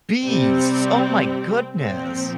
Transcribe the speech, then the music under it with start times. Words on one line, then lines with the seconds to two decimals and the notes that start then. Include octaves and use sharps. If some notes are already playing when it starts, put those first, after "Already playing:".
beasts. Oh my goodness.
0.24 C3 G3 C4
1.76 A#2 F3 C4